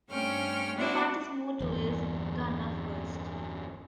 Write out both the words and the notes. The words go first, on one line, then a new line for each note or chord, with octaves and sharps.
The party's motto is "Ghana first".
G2 A3 C4 C#4 G5 F6
B3 C4 D4 E4 F#4
G1 E2